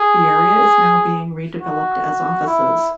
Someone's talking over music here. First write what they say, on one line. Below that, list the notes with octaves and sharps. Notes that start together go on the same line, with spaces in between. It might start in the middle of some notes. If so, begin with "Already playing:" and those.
The area is now being redeveloped as offices.
Already playing: G#4
F#4
E4